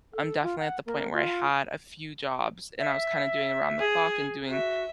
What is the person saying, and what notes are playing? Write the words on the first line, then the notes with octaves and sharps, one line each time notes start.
I'm definitely at the point where I had a few jobs and I was kinda doing around the clock and doing
A4
F4
F#5
A#3
F4
E5
G#4
F#4 E5